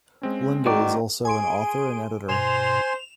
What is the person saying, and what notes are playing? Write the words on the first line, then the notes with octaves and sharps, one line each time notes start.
Lindall is also an author and editor.
G#3 C4 C#4
A2 D#3 F#4 D5
G#4 G#5 C6 D7
G2 B2 C5 G#5 C6 E7 F7